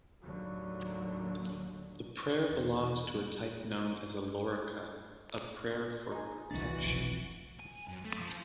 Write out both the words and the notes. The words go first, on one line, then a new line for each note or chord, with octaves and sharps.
The prayer belongs to a type known as a "lorica", a prayer for protection.
D#2 A2 D3 F#3
E2
G3
D#4 G#4
D#1 C2 E3 D4 F#4 A6
F1 B1 F2
G#5
F#2
A3
F3